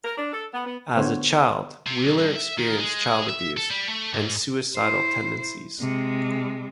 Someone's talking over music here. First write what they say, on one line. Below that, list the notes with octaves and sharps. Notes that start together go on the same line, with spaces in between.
As a child, Wheeler experienced child abuse and suicidal tendencies.
A#4
D4
A4
B3
B3
D3 B3 C5 C#5
C3
B1
G2
E5
D#3
G#3
E5
A4
G3
A3
G#2
E4 C5
C3 G#3